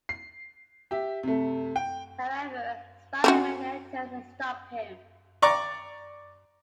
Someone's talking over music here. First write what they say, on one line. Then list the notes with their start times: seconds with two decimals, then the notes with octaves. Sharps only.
However, Spider-Man enters and stops him.
0.09 C7
0.91 G4 E5
1.23 C3 A3
1.76 G5
3.24 C4 C#4 F#4
5.42 D5 A#5 C#6 D6